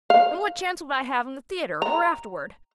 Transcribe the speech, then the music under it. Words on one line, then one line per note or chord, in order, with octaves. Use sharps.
And what chance would I have in the theatre or afterward?
F5
A#5